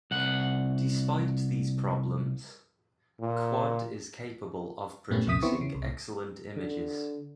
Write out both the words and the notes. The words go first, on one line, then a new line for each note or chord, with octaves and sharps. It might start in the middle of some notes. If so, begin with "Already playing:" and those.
Despite these problems, Quad is capable of producing excellent images.
C2 F#5
A#2
G2 A#2 G3 A3 B3 C#4
C2 F2 A#2 E5 D#6 B6
D3 B3 C4 E4 C#6
C#3
C2
D3